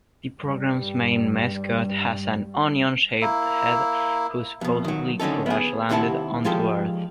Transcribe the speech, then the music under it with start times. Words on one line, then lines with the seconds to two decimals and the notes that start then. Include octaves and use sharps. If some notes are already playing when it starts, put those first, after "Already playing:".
The programme's main mascot has an Onion-shaped head, who supposedly crash-landed onto Earth.
0.39 G2 G3
3.21 A#3 E4
4.61 F2 B2
4.85 D#3 F#3
5.20 D3 F#3 C#4 D#4 A4
5.46 B3 G#4
5.89 D#2 C3 E4 F#5 A5
6.44 F3 G#3 F4 G4 A4